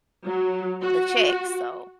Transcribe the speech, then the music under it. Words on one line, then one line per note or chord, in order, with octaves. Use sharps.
the check, so
F#3
F#4